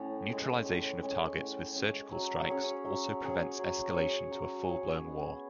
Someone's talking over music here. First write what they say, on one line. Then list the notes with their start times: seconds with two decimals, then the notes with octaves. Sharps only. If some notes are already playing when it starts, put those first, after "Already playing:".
Neutralization of targets with surgical strikes also prevents escalation to a full blown war.
Already playing: A2 C#4
0.29 G#3 C#4 G#4
0.65 A2
1.02 G#3 C#4 G#4
1.38 A2
1.75 G#3 C#4 G#4
2.12 F#3
2.49 C#4 G#4 C#5
2.85 F#3
3.22 C#4 G#4 C#5
3.59 F#3
3.94 C#4 G#4 C#5
4.31 F#3
4.69 C#4 G#4 C#5
5.04 B3